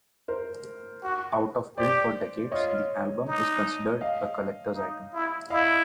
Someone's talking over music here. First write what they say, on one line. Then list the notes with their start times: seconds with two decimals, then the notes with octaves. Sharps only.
Out of print for decades, the album is considered a collectors' item.
0.28 A#4 C5
1.03 F#4
1.77 G4 C5 D5
2.52 F4 C#5 D#5
3.27 D#4
4.01 D#5 F5
4.76 D#4
5.14 E4
5.50 E4 D#5 F5